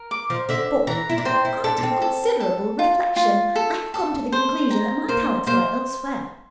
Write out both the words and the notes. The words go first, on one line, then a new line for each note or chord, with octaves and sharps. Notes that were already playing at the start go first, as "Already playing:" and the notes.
But, after considerable reflection, I have come to the conclusion that my talents lie elsewhere.
Already playing: A#4
D6
F3
D3 E5
E3 A#5
E4
D4
C4 C5
E4
D4 A4
D4
C4
A4
A4
F4
F4
A4
A4
C5
A#5
A#3 C5
A#3 C5